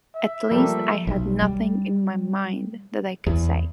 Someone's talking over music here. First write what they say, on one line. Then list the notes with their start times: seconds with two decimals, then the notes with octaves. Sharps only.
At least I had nothing in my mind that I could say.
0.16 E5
0.51 F3 G3 A3 A#3
1.07 B1
1.42 G3
3.26 E2